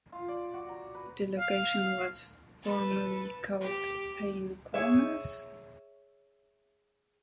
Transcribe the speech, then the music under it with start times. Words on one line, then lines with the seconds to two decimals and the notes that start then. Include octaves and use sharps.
The location was formerly called Payne's Corners.
0.12 F4
0.28 D5
0.54 F#4
0.69 A#5
0.94 B4
1.38 F5
2.62 A4 B4
3.60 G4
4.74 G#4 C#5 E5